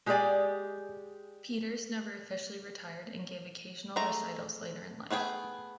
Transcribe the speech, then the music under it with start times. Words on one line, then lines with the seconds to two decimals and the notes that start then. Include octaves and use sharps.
Peters never officially retired and gave occasional recitals later in life.
0.06 G#3 G4 G#4 C5 D5 G#5
3.96 G#3 A3 A#5
5.10 A3 B3 G#4 G5